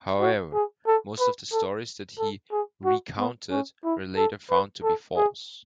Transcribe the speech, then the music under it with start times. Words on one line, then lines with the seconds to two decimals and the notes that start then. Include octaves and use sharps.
However, most of the stories that he "recounted" were later found to be false.
0.20 F#4
0.53 G#4
0.86 A4
1.19 B4
1.52 A4
2.18 A4
2.52 G#4
2.85 F#4
3.18 B3
3.51 C#4
3.84 E4
4.17 A4
4.50 B4
4.83 A4
5.16 G#4